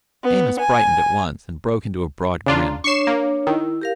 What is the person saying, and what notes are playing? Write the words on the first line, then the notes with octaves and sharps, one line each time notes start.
Amos brightened at once and broke into a broad grin.
B3
G#5
C#3 D4 F4 A#5
D4 C#5 C#6 C7 E7
A#3
D#3 E4
G4 A#4 F5